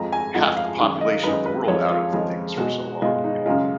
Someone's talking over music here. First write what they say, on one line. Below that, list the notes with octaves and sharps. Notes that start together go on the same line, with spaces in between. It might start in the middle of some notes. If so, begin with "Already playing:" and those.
half the population of the world out of things for so long, you know?
Already playing: F2 F3 G#3 A#5
G#5
F2 F3 G#3 F#5
F5
F#2 D#3 G#3 F5
D#5
F#2 D#3 G#3 B4
B4
F2 F3 G#3 C#5
F4
F2 F3 G#3
B2 G#3 F#4
B2 G#3 F4
D#4
F#2 C#3 G#3 F4